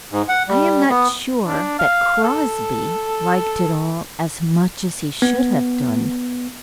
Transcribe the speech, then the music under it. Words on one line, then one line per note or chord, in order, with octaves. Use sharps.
I am not sure that Crosbie liked it all as much as he should have done.
G#2
F#5
G3
B3
D4
F5
A4
B3